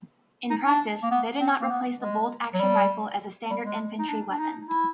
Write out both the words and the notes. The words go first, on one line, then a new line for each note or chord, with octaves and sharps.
In practice, they did not replace the bolt-action rifle as a standard infantry weapon.
D#4
D4
A#3
B3
C4
A#3
B3
G#3
F#3
G3
G3
G#3
D#4
D4
D4
D#4
E4